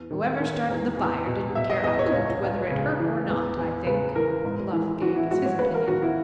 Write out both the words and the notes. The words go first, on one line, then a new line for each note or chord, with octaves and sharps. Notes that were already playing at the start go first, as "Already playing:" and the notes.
"Whoever started the fire didn't care a hoot whether it hurt or not, I think," Bluff gave as his opinion.
Already playing: E2
D#3
D#3
E2
E2
B2
B2 E5
D#5
E2 D#5
C#5
C#2 C#5
C#2
C#3
E3
E2
E2
C#3 B4
E3 A#4
G#2
E3
E3 F#4
E4
G#2 F#4
C#5
D#2 B4
A#4
D#3 F#4
E4